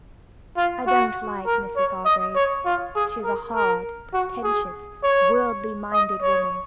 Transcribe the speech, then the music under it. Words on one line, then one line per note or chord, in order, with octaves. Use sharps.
I don't like Mrs. Hargrave; she is a hard, pretentious, worldly-minded woman.
F4
F#4
A#4
C#5
D#5
C#5
F4
G#4
A#4
A#4
F#4
G#4
C#5
D#5
C#5